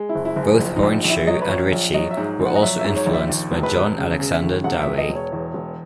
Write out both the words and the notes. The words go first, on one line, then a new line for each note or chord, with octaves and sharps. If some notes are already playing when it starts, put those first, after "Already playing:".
Both Hornshuh and Richey were also influenced by John Alexander Dowie.
Already playing: G#3
E4
F#1
E4
F#1
G#4
A#1
D#4
A#1
D#4
A#1
E4
F#3 D#5
C#5
B4
A#1 C#5
A#1
F#3 D#5
E5
G#2
A#1
F#5
D#5
F#3 E5
E5
G#2
C#5
A#1
E5
D#2
E1
B4
E1
C#3
C#3
E5
D#2
E1 F#5
E5
E1
D#5
E1
C#5
E2
E1